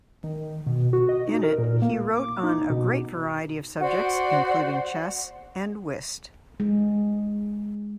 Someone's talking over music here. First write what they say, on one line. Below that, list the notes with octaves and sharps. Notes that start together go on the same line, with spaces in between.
In it he wrote on a great variety of subjects, including chess and whist.
D#3
B2
F#4
D#5
D#4
A#4
A#2
A#3
D6
D#4
B2
F#4 C5 D5
G#3